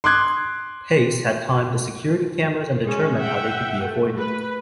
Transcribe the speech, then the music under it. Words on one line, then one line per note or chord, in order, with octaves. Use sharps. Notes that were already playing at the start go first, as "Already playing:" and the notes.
Pace had timed the security cameras and determined how they could be avoided.
C6 D6 D#6 F#6 G#6
G#3 C#4
E5 F#5 G5
A3
B4